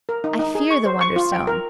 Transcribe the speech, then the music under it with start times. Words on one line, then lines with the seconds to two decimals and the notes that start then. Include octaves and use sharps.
I fear the Wonderstone.
0.09 A#4
0.24 D#4
0.39 D#4
0.55 G#4
0.71 C#6
0.86 C5
1.01 C#6
1.16 F4
1.32 G5
1.47 A#4